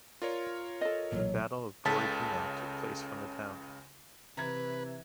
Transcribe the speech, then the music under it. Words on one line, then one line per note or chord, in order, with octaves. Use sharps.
The Battle of Borodino took place from the town.
F4 A#4 C#5 D5
A4 D#5
B1 A#2 E3 F#3
C#2 C#3 A4 A5 A6 B6
C3 E3 B4 A#5 G#6